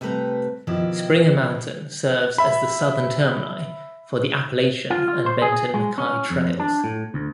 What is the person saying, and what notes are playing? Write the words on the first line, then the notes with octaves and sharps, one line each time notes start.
Springer Mountain serves as the southern termini for the Appalachian and Benton MacKaye trails.
C3 G3 A3 B4 C5 A#5
B2 D#3 F3 E4 G4
E5 B5
F4
F4
C5
G#4
G#3
C#4
F2
D4
A2
D2